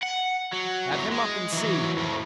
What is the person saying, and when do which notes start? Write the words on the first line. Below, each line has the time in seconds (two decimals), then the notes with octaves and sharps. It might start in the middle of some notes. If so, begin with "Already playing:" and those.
"Have him up and see...."
0.03 F#5
0.52 F#3
0.92 E2 F#3
1.12 G#3
1.52 E3 F#3
1.97 F2 A2